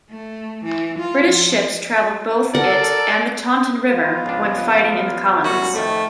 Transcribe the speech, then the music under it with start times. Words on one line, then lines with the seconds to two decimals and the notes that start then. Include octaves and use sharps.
British ships travelled both it and the Taunton River when fighting in the colonies.
0.10 A3
0.65 E3
0.99 F4
1.29 F3
2.55 A4 A#4 D5 F#5
3.89 F3 B3 F4
4.26 C#2 D4
5.44 F#2 G3 C#4 F#4
5.75 F2 D#3 A3